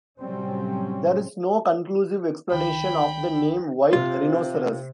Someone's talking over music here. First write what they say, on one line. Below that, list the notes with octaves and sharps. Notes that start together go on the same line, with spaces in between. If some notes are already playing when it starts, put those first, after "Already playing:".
There is no conclusive explanation of the name white rhinoceros.
A2 C3 F#3 G3 C4 C#4
C#2 D#3 G5 B5
C3 F4